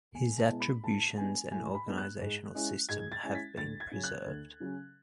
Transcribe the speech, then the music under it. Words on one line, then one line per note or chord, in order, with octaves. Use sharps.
His attributions and organizational system have been preserved.
E2 G#5
A5
B2 G#3 B3 E4
B5
A2 A5
G#3 B3 D4 G#5
A2 G#5
B5
G#3 B3 D4
F#6
G#2
G#3 C#4 E4
G#2 G#6
A6
G#3 C#4 E4
B6
D2 A6
G#6
C#3 F#3 C#4
F#6
D2
C#3 F#3 C#4